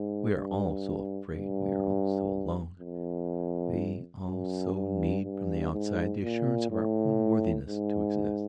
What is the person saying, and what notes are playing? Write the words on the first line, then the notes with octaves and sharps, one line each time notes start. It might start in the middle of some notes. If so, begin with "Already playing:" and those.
We are all so afraid, we are all so alone, we all so need from the outside the assurance of our own worthiness to exist.
Already playing: G#2
G2
G2
F2
F#2
G2
G2
G#2
A#2
A2
G#2